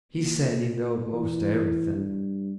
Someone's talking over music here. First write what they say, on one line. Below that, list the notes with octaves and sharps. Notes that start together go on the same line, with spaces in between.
He said he knowed most everything.
A#2
E3
G2